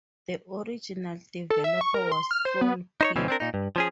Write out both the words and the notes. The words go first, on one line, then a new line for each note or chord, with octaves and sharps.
The original developer was Saul Pick.
A4
E5
C#6
A#4
C6
F6
C5
B3
D#4 C5 C#5
D2 B2 E3 C4 C#4
C4 D4 A#4
A#2 D#4
G2
F3 C#4 G#4